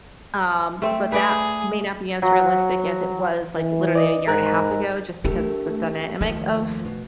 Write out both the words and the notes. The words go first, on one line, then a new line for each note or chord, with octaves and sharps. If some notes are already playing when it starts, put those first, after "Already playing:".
um, but that may not be as realistic as it was, like, literally a year and a half ago, just because the dynamic of
A3 C4
G#4 B4 D5
F#3
E3
D5 D#5
G#2 A#4 A#5 F#6
A3 D4 G4 A4 A#4
D#2 D#3 F3 A3
B2